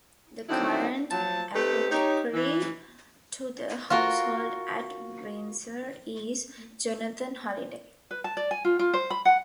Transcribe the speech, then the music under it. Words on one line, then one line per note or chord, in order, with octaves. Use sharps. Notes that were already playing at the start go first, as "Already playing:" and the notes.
The current Apothecary to the Household at Windsor, is Jonathan Holliday.
D3 D#3 F#3 C4 D#4 E4
F3 F#3 A5
A3 C4 D#4 G4 B4
D#4 G4 C#5
E3
F4 F#4 A#4
B4
A5
D5
G#5
F4
F4
C5
B5
F#5